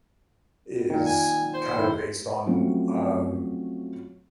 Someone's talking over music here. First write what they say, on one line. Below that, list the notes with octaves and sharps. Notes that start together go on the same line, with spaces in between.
is kind of based on, um,
A#2 D#3
G#5
C5
A2 D#3 E4
F3 F#3 A3 C4 C#4